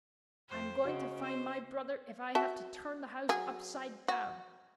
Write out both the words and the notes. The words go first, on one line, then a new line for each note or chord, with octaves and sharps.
"I'm going to find my brother if I have to turn the house upside down."
F2 C5
C#3 F#4 D#5
C5
F#4 E5 A5
F#3 G#4
F#4